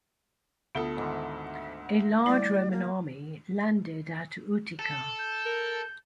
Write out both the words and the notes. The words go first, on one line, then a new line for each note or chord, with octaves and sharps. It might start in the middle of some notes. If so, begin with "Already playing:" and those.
A large Roman army landed at Utica.
D2 B3 F4 A4 D#6
G#2 D3 D#3
G3 A3 E4 D5
A#3
A4
G6
A#4